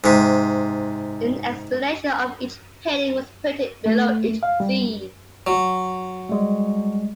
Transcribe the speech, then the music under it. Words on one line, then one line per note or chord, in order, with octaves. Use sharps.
An explanation of each painting was printed below each scene.
G#2 C3
A3
F5
G3
F#3
G3 G#3